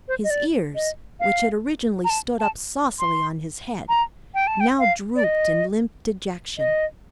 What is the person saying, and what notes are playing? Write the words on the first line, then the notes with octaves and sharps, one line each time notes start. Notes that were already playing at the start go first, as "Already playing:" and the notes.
His ears, which had originally stood up saucily on his head, now drooped in limp dejection.
C5
D#5
D5
D#5
F5
A#5
A5
A5
C6
A#5
G5
A5
G5
F5
D5
D#5
D#5